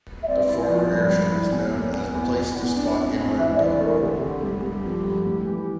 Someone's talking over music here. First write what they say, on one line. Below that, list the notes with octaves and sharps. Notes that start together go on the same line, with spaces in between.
The former airstrip is known as a place to spot inland dotterel.
E5
C4 D5
E4
F3
G2
G2
E4
E2
A#3
E2
E2
E2
E2
D4
F2
F2
E3 E5
E5
D5
E3
D5
A3 A#4
D3 G4
D3
G2
G2
F3
G2
A2
E3